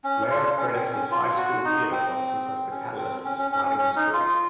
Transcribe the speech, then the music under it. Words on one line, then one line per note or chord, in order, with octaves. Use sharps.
Lehre credits his high school theatre classes as the catalyst for starting his career.
C#4
F4
C#4
C4
C#4
F4
F#4
D#4
C4
C#4
C4
C#4
C#4
C#4
C#4
C#4
D#4
F4